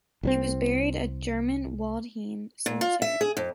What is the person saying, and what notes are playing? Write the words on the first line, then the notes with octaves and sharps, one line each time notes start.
He was buried at German Waldheim Cemetery.
C2 F#3 C4
A#2
F4
E5
G#4
F2